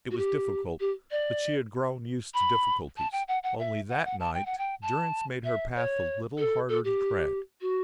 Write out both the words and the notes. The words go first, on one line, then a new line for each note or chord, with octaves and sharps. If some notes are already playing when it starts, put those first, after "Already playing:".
It was difficult, but she had grown used to difficulties. Only that night Durrance made her path a little harder to tread.
F#4
G4
G4
D5
B5
A5
G5
F#5
F#5
E5
F#5
F#5
A5
G5
F#5
G5
A5
E5
C#5
A4
A4
G4
F#4